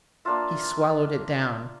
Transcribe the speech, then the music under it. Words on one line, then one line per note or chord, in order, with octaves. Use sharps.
He swallowed it down.
A#3 D4 F4 E5